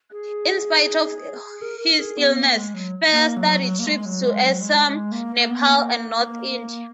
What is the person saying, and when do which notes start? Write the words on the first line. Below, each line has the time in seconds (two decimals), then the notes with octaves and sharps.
In spite of his illness, further study trips to Assam, Nepal and North-India.
0.12 G#4
1.61 A#4
1.81 A#4
1.99 G#4
2.18 B3
2.36 A#3
2.55 G#3
2.74 F#3
3.12 A#3
3.37 F#3
3.61 F#3
3.79 A#3
3.86 G#3
3.99 G#3
4.05 F#3
4.23 G#3
4.42 F#3
4.61 G#3
4.87 G#3
5.12 A#3
5.36 A#3
5.50 B3
5.64 A#3